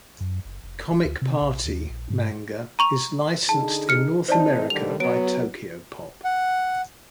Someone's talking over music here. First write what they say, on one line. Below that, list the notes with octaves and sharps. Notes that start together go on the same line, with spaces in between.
"Comic Party" manga is licensed in North America by Tokyopop.
F#2
F#1
F1
D1
D2
C3
A#1
D#2
A#1
G#2
A#5 C#6 F7
D3 D#4 G#4 A5
F6 C#7
E3 C4 D#4 C5 D5 A5
D3 D#3 G3 F7
F#3 B3 C#5 D7
F#5